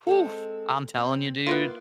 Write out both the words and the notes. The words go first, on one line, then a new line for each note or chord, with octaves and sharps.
Oof! I'm telling you, dude,
G#3 C4 A4
C4
A#3 B3 E4 F4